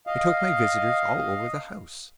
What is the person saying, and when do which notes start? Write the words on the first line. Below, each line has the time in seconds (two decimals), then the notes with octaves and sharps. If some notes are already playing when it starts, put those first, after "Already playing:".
I took my visitors all over the house.
0.07 D#5 F5